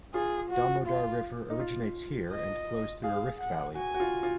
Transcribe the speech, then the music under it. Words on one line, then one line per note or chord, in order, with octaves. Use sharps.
Damodar River originates here and flows through a rift valley.
F4 G#4
F#4
F4
D#4
F4
D#5
G#4 F5
F#5
F#4 G#5
F#4
F4
F4